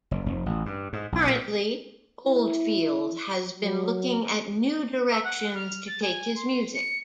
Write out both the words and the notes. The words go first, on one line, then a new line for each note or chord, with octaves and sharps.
Currently Oldfield has been looking at new directions to take his music.
F#1
F1
A1
G2
G#2
B1
A#2
E4
F#3
E5
F#5
F6
A6
G#5
C6
C#7